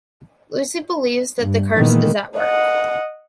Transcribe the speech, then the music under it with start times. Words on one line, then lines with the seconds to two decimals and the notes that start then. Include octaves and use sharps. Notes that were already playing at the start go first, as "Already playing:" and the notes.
Lucy believes that the curse is at work.
1.40 G2
1.75 A#2 D#3 E3 G#3 A#3 B3
2.38 D#5 F#5